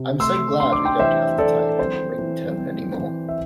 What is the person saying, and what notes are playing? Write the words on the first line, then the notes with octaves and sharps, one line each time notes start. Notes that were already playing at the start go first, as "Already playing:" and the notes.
I'm so glad we don't have to type in a ring-tone anymore.
Already playing: C3
A3 C6 E6
D4 C6
D6
G5 C6
E3 C5 E5
E3 A4 D5
C4 C5
E3
C4
E3
E5